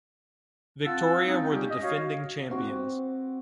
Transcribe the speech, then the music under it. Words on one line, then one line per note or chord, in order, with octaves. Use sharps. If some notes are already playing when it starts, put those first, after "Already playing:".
Victoria were the defending champions.
C4 F4 F5 F#5 A5 E6
G#3 C4 C#4 D#4
G3 C#4 G4
D#5
F#4 C#5 F5
C4 F#4 D6